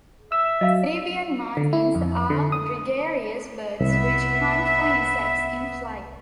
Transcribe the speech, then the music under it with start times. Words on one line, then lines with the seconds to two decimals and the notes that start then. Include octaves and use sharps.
Caribbean martins are gregarious birds which hunt for insects in flight.
0.32 E5 E6
0.61 F#3 D#5 F5
1.57 D3
1.73 E4
1.95 F2
2.30 D3
2.52 D#6
3.80 C2 B3 E5